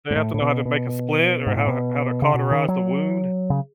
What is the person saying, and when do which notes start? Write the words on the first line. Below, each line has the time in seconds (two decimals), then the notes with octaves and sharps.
they have to know how to make a splint or how how to cauterize the wound.
0.11 G#2
0.16 A2
0.34 A2
0.41 B2
0.65 B2
1.47 G#2
1.57 A2
1.67 B2
2.22 C#3
2.34 B2
2.51 D#3
2.68 F#3
3.50 C#3